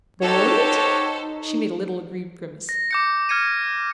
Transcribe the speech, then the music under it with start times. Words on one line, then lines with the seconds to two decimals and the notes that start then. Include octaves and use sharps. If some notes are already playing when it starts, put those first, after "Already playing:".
"BORED?" She made a little aggrieved grimace.
0.22 D#4 F#4 G4 A4 C5 C#5
2.69 A#6
2.91 D6 G6 C#7
3.29 F6 G#6 C#7 D#7